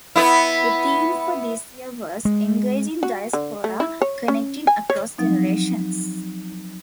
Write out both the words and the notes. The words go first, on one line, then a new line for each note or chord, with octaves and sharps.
The Theme for this year was "Engaging Diaspora: Connecting Across Generations".
B3 E4
G#3
F#4
D3
A3
E4
C#5
C#4
G#5
C#5
F3 F#3 C4 D#4